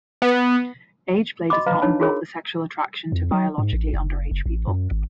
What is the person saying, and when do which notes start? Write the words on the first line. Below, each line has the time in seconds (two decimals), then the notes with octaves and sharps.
Ageplay does not involve the sexual attraction to biologically underage people.
0.22 B3
1.50 F#4 D#5 B5 D6
1.66 B4 D#5 F5 A#5 B5
1.81 D4 D#4 C#5 A5 B5
2.00 F4 F#4 G#4 A#4 C#5 B5
3.12 F2
3.31 F#3
3.58 G#2
3.73 A1
3.94 F#1
4.31 F#1
4.46 A1
4.67 F#2
4.91 G#1